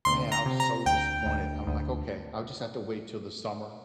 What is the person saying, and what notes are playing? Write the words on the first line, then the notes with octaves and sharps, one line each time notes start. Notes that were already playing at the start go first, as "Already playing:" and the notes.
man, I was so disappointed, I'm, like, "Okay, I'll just have to wait till the summer
D2 C6
A#5
C3
A#5
D2 G5
D2
D2